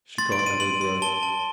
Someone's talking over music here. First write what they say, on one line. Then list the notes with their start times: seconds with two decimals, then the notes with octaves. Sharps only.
She caught at her breath.
0.18 C6 A6
0.32 D7
0.39 C6
0.46 D#7
0.60 C6 F#7
0.81 C6
1.02 A5 G7
1.23 A5